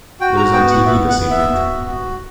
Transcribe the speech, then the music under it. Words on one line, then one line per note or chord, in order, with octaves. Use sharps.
What is on TV this evening?
F#4 G5
A#5
B3 G5
F#5
B3 E5
F#5
B3
E5
F#4
F#4